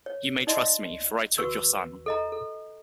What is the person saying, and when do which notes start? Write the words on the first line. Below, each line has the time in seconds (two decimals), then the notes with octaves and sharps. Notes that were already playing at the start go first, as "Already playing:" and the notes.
You may trust me, for I took your son.
0.06 C#5
0.47 D#4 D5 D#5 C6
1.38 F#4 B4 C#6 E6
2.06 A4 D#5 A#5
2.32 A4